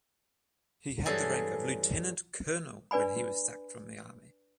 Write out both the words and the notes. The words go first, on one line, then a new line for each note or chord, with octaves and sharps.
He had the rank of Lieutenant Colonel when he was sacked from the Army.
G2 E3 F#3 G3 G#4 A4
D4 B4 D5 G#5 B5